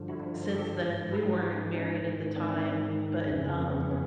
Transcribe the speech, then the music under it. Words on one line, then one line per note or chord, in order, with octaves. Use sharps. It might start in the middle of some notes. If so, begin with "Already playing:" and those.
since then we weren't married at the time, but, um,
Already playing: G2 D3 F3
E4 F#4
D4 E4
D#4 F4
G4 A4
G#2 E3
A4 B4
G#4 A#4
F#4 G#4
F4 G4
C#4 D#4
C#4 D#4
G#2 D#3
C4 D4
F2 C#3 E3
A#3 C4
B3 C#4
B3 C#4
B3 C#4